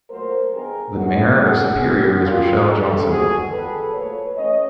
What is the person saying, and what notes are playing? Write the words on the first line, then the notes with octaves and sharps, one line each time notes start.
The mayor of Superior is Rochelle Johnson.
A#2 F#3 A3 A#4 C5
G2 D#3 G3 B3 G#4 A#4
G#2 E3 G#3 C#4 F#4 G#4
D2 D3 F3 A#3 F#4 G#4
G#2 D#3 G3 B3
D#2 D3 G3 A#3 C#4 F4 G4
F2 C#3 E3 G#3 G4 A4
A2 F3 A#3 F#4 G#4
F2 D3 G3 A4 B4
A#2 F3 A3 B4 C#5
A2 E3 A3 C#4 C#5 D#5